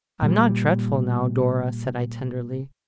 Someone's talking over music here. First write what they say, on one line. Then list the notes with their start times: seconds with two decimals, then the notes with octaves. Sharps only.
'I am not dreadful now, Dora?' said I, tenderly.
0.22 A#2 G3